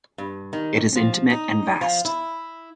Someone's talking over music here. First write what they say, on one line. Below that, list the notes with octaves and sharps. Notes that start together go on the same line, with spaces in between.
It is intimate and vast.
G2
D#3
F3
D#4
F3
E4